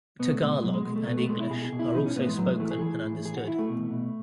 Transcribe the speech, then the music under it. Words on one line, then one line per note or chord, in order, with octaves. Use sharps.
Tagalog and English are also spoken and understood.
B2 B3
A3
B2 G#3
G#3
B2 F#3
G#3
B2 G#3
A3
B2 B3
A3
B2 G#3
E4
B2 G#4
G#4
B2
E4
E3 D#4
C#4
A2 B3
G#3
A2 F#3
G#3
E3 A3
G#4
E3 G#4
A2
E3 G#4
F#4
E3 E4
A3
B2
B2